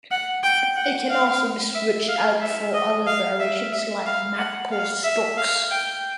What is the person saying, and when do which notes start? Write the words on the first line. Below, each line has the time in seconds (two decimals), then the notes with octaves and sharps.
It can also be switched out for other variations like Magpul stocks.
0.11 F#5
0.43 G5
0.76 F#5
1.10 F5
1.75 E5
2.09 F5
2.41 E5
2.74 D#5
3.06 F5
3.40 E5
3.72 E5
4.06 F5
4.38 F#5
4.72 F5
5.04 E5
5.37 F5
5.71 G5